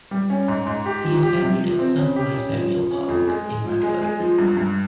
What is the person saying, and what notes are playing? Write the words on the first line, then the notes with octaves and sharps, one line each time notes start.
He is buried at Sunrise Burial Park in Radford.
G3
C#4
G#2
G#2
G4
F3
G4
C3
F3
C4
C#3
G4
C#3
F3
F3
C#4
F2
G#3
G#3
F3
G#3
G#3
F3
G2
G2